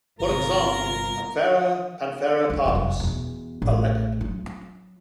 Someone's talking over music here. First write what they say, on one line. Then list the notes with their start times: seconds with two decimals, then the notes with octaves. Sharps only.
For example, "Panthera Panthera pardus", a leopard.
0.20 G1 C3 B3 F4 A#4
2.50 C#2
2.65 F1 F#2
3.00 E2 B2
3.62 A1 A2
4.21 F#3 F4